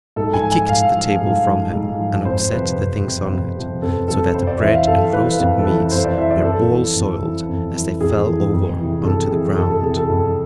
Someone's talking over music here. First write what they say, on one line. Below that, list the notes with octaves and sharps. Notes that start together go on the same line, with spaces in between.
He kicked the table from him and upset the things on it, so that the bread and roasted meats were all soiled as they fell over on to the ground.
G#2 A4
G#5
F3
G#5
G#2 F5
F3
G#2
F3
G#2
F3
F2 C5
C3 F3 B4
F2
C3 F3
F2
C3 F3
F2 A4
C3 F3 A4
F2 C5
D5
E3 E5
F5
F2 A4
E3 B4
F2 B4
A4
E3 B4
F2 C5
D5
E3 E5
D5
F2 A4
E3
F2
E3
F2
E3
F2 G#4
E3
F2
C3 E3
F2 A4
C3 E3 G#4
F2 A4
A4
C3 E3 G#4
A4
F2 A4